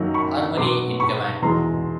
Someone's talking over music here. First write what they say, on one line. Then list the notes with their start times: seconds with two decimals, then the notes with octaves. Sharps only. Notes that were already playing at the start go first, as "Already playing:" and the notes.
Harmony in command.
Already playing: F#2 D#3 F#3 A#3
0.14 B5 C#6
0.57 B2 F#3 B3 C6 D6
1.00 B5 C#6
1.42 E2 B2 G#3 A#5 C6